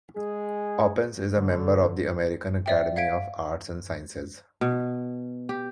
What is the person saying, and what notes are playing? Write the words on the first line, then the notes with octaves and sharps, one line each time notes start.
Oppens is a member of the American Academy of Arts and Sciences.
G#3 G#4
D3
D5 E5 G5
F5 F#5 G#6 B6 D7
B2
G4